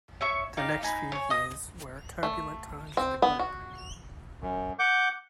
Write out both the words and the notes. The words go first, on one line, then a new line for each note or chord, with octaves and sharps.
The next few years were a turbulent time for the group.
C#5 E5 C#6
D#4 G4 D5 F5
D#4 G#5 B5
C#5 G#5
D#5 D#6
A3
C4
B3
F#4
F#2
F#5 D6 G6